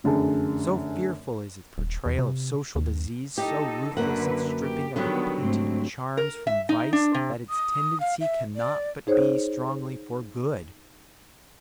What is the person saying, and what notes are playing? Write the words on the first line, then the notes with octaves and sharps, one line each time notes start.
So fearful is its portrayal of social disease, so ruthless its stripping of the painted charms from vice, that its tendency cannot but be strongly for good.
F1 F#2 D3 G#4 A5
D#1
E2
C3
D#2
D#4 G4 A4
F#2 D3 A#3 B4 F#5
G4
D3 D#3 F#3 G3 B3
G#2 A3 C4
A#4
E5
D#4
D4
C3
D#6
F5
E5
D5
D#4 G#4 C5 C#5